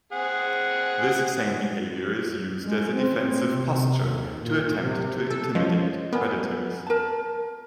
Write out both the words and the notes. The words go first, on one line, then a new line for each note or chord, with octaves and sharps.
This same behavior is used as a defensive posture to attempt to intimidate predators.
C4 G#4 F#5
G#3
C4
C3
D#2
A#2
C3
A4
F3 C#4 C5 D#5
B3 A#4 G#5
A#4 A5